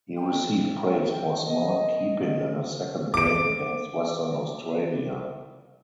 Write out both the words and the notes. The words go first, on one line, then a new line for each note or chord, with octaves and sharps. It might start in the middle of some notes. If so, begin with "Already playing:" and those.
He received praise for "smart" keeping in his second game against Western Australia.
G5
G5
D#5
D6 D7